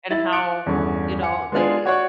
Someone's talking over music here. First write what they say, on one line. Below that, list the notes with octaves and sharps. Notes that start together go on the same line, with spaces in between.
and how, you know, they
E4 A6
D6 F#6 C#7 D7
E2 G2 D3 C#4
F#5 G#5 C#7
G#3 B3 D4 F4 G#4
F#4 C#5 D5 F#5 C#6